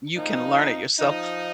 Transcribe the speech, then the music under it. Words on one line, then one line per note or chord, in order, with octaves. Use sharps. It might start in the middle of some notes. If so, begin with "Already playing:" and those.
you can learn it yourself.
A#2 F3 D#4
F3 D#4